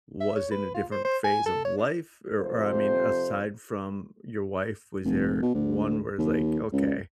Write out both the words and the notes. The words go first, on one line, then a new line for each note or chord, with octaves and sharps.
was in a different phase of life? Or or, I mean, aside from your wife, was there one where it's like, "Okay,
E5
C#5
B4
F4
C5
C5
G#5
A4
C#5
D4
F2 C3 C5
F1
B2
D2
D#2
C#2